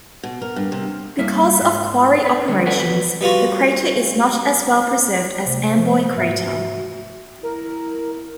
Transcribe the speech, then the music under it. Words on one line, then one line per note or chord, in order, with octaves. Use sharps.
Because of quarry operations, the crater is not as well preserved as Amboy Crater.
B2
A#4
G2
C3
G2 A#3 E4 E5
G#2
B4 C#5
D3 G3 C#4
A4 B4 C#5 D5 F#5 G#5
E2 F#4 B4 B5
G3 B3 F4 F#4
C3 A3 C5
F3
G#2 F#4 E5
E4 A#4